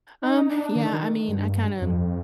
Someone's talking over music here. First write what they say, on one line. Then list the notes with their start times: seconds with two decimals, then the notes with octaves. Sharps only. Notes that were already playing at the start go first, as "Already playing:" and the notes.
Um, yeah, I mean, I kinda
0.23 D#4
0.49 D4
0.75 D#3
0.93 D#3
1.28 G2
1.81 F2